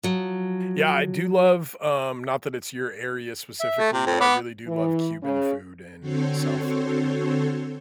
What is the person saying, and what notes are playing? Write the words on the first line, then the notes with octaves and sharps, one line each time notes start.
Yeah, I do love, um, not that it's your area specifically, but I really do love Cuban food in South Florida.
F3 F#3
E5
A3
C3
F2 C4
B3 B5 D6
E3
C#3
D3 C4 F#4 A4 C5 C#5